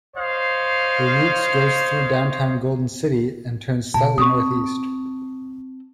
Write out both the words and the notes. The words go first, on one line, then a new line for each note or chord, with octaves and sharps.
The routes goes through downtown Golden City, and turn slightly northeast.
C5 C#5 D#5 F5
B2 A5
C4 C#6 D#6